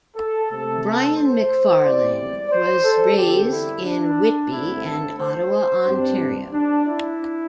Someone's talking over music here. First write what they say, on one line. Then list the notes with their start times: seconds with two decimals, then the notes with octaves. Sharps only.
Brian McFarlane was raised in Whitby and Ottawa Ontario.
0.16 A4
0.50 C3 A3 C4 A4
0.84 A4
1.16 C5
1.84 E2 E3 G3 C4 D5
2.52 C5
2.84 A4
3.17 E2 D3 G3 C4 G4
3.51 E4
3.85 D4
4.51 G2 D3 A3 C4 E4
4.86 A4
5.20 C5
5.52 C5
5.86 G2 G3 C4 D4
6.53 D4
6.87 E4